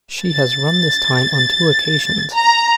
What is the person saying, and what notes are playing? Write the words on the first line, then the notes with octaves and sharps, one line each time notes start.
She has run this time on two occasions.
A6
A#5